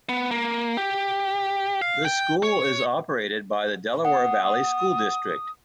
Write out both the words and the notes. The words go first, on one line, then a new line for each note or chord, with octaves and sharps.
The school is operated by the Delaware Valley School District.
B3
A#3
G4
F5
G5
C#5
F#5 D#6